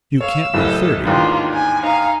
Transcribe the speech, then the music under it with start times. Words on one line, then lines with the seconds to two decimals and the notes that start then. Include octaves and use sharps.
You can't be thirty?'
0.21 C#5 F5 E6
0.54 F#1 A2 G4 A4 D#5
1.06 A1 D#2 G#2 G3 D4 D#4 F4
1.54 G#5
1.84 D#4 F5 G#5